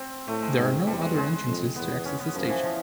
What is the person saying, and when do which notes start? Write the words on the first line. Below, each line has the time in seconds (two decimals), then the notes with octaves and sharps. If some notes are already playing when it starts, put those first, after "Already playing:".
There are no other entrances to access the station.
Already playing: C4
0.28 A2 A3
0.42 G#3
0.58 G#2
0.87 E2 G3
1.01 G#3
1.16 G#3
1.46 F2
1.75 E2 B3
2.05 C#4
2.20 B3
2.34 F#2 F3
2.49 E3
2.64 F3